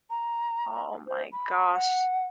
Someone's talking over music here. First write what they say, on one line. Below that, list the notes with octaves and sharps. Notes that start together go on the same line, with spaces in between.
Oh my gosh.
A#5
C5
B5
F#5